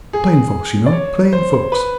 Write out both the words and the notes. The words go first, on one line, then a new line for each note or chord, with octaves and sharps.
Plain folks, you know--plain folks.
G#4
D5
C#5
C5
B4